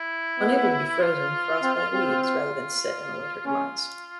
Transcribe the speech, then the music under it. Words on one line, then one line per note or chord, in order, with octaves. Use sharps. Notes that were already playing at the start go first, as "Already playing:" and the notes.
Unable to be frozen, Frostbite leaves rather than sit and await her demise.
Already playing: E4
B3
F4
C4
C4
F4
C#4 F4